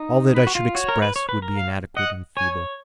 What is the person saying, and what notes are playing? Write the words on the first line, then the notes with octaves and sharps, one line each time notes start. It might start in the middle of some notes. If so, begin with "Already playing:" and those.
All that I should express would be inadequate and feeble.
Already playing: D#4
B4
F#4
F4
F#4 C#5
A#4
B4
C#5
B4
A#4
F5
D#5 F#5
C#5 G#5